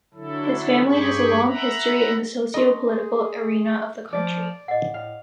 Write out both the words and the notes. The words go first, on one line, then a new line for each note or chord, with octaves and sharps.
His family has a long history in the socio-political arena of the country.
D3 F#3 E4 A4
G2 G4 G#4 B5 C#6
E5 F#5 A#5 B5
C#4 F4 A#4 D#5 C6
G#4
F3 D5
A2 D#5 F#5
A2 F5